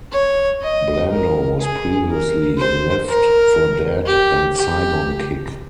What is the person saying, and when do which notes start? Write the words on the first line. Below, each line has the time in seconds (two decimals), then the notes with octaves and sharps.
Blando was previously in Left For Dead and Saigon Kick.
0.12 C#5
0.61 D#5
1.10 A#4
1.60 G#4
2.09 A#4
2.58 C5
3.08 A#4
4.06 G4
4.55 G4